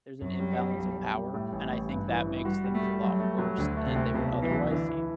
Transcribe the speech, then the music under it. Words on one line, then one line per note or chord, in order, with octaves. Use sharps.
there's an imbalance of power, and I think that makes things a lot worse than they would otherwise seem.
F#2 F#3
G3
G3
B1
B1
G3
A2
A1
A1
G2
E3
E3
G3 F#4
G3
A3
G3
F#3 A3
A3
F#3
D2 D3
A3
C3
D2
B1 C3
B2
E3
F#3
D3 E3
E3